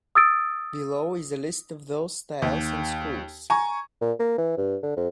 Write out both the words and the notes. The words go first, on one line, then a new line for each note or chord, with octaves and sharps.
Below is a list of those styles and schools.
D#6 E6 A6 D7
D#2
G#5 A#5 C#6
A#2
A#3
E3
G2
D3
F2